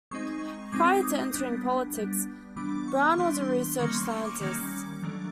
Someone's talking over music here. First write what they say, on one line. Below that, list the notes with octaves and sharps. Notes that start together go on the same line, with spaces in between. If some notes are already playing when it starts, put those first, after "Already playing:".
Prior to entering politics Brown was a research scientist.
G#3 C4 D#4 C#6
G#3 C4 D#4 D6
D6
D#6
G3 B3 D4
G3 B3 D4
E3 G3 B3 D4 D6
C#6
E3 G3 B3 D4 C6
D#3 G3 A#3 C#4 C#6
C6
C#6
D6
D#3 G3 A#3 C#4
D#3 F#3 A3 D4